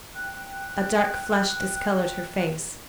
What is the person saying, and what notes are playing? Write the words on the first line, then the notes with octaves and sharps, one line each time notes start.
A dark flush discolored her face.
G5 F#6